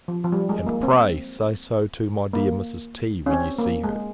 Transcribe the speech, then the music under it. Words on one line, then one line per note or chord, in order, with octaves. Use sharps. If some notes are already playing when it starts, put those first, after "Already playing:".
And, pray, say so to my dear Mrs. T. when you see her.
F3
F3
G3
G#3
A#3
C4
A#3
C#4
C4
A#3
G#3